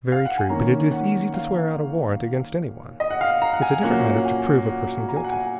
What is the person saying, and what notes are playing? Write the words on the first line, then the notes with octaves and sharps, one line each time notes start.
"Very true, but it is easy to swear out a warrant against any one. It's a different matter to prove a person guilty."
F5
F#5
G#5
D#3 A#3 C#4 A#5
F#5
F5
D#5
F#5
F5
A#5
F#5
G#5
A#2 F#3 A#3 C#4 F#5
F#5
G#5
F#5
A#5
G#5
F#5
G#5